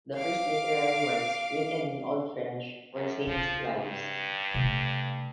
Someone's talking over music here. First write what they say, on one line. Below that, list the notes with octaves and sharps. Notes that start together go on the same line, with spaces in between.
The first literary works written in Old French were saints' lives.
F5 D6
F#2
C#3 F3
G2
C3 A3